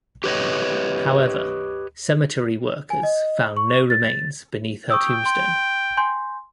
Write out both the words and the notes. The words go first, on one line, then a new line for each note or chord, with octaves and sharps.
However, cemetery workers found no remains beneath her tombstone.
G4 B4 C#5 D#5
G#5
D#5
C#6
A6
G5 C#6 D#6 E6
C6
G#5 C6 G6